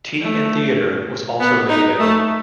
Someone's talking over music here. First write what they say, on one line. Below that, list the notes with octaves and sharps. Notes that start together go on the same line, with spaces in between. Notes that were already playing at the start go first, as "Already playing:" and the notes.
"Tea and Theatre" was also made available.
A3
B3
D#4
A3